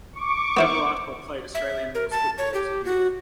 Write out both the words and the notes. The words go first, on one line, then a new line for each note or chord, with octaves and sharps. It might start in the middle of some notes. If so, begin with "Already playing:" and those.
Bevilaqua played Australian rules football as a youth.
C#6 D6
B3 E4 C5
E5
A#4
A5
C#5
G4
F#4